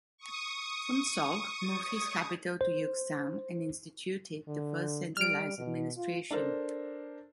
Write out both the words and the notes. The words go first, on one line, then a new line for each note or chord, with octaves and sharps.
Phuntsog moved his capital to Yuksam and instituted the first centralised administration.
C#6 D#6
C5
D3
G3 F6 D7
B2
F4
D4 A4 A#4 C5